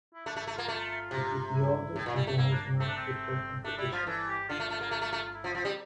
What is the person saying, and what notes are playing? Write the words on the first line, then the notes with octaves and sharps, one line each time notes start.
It is the oldest international football competition.
E4
A3 D4
A3
E4
A3
A#3 F4
A3
C3
E4
A2
A#2
G3
A3
A#3 E4
D4
A3 C4
D4
C4
A3 D4
G3 E4
F3 F4
E3 A4
G4
D3 F4
A3
A3 F4
A#3
A3
A3
A3
F4
E4
F3
F3 C4
G3